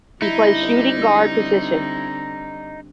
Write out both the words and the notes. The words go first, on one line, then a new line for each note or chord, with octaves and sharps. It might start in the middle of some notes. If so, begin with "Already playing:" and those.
He plays shooting guard position.
D3 G3 C4 D#4 E4